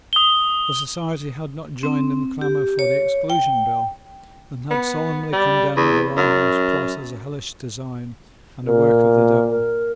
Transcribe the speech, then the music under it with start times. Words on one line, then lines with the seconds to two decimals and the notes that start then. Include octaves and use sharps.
The society had not joined in the clamour for the Exclusion Bill, and had solemnly condemned the Rye House plot as a hellish design and a work of the devil.
0.13 D#6 G7
1.83 C4
2.41 G4
2.79 C#5
3.30 G5
4.71 B3
5.33 G3
5.76 E2
6.17 F#2
8.66 A#2 A#4
9.51 A#4